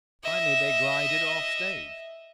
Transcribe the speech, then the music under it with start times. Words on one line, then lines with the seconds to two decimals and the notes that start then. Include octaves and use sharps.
Finally they glided off stage.
0.23 D#5 E5